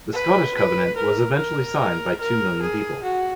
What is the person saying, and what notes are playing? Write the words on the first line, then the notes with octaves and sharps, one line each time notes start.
The Scottish Covenant "was eventually signed by two million people".
B4
B4
A#4
A#4
A#4
G#4
F#4